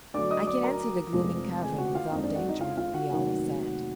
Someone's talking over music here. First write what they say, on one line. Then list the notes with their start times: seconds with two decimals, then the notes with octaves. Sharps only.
"I can enter the gloomy cavern without danger," the owl said.
0.14 D2 D3 F#3 D5 D6
0.31 D#5 D#6
0.47 D5 D6
0.63 A#4 A#5
1.13 F1 F2 F3 G#3
1.62 G#4 G#5
1.78 F#4 F#5
1.95 F4 F5
2.11 F2 D3 G#3 D#4 D#5
2.24 D4 D5
2.36 F#4 F#5
2.49 D#4 D#5
2.61 F4 F5
2.77 F4 F5
2.94 F#4 F#5
3.10 F1 D#2 D#3 F#3